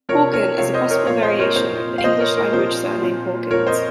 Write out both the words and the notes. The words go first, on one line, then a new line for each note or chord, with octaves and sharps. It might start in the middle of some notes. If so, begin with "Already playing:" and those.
Hawken is a possible variation of the English language surname "Hawkins".
C3 F3 A#4 C#5
A#4 C#5
C3 F3 C#5 F5
C5 D#5
A#4 C#5
A#2 F3 C#5 F5
C5 D#5
A#4 C#5
A#2 F3 C5
F5
A#2 F3 C5 D#5
A#4 C#5
A#4
A#2 F3 C5
A#2 F3
A#2 F3 A#4 C#5
C5 D#5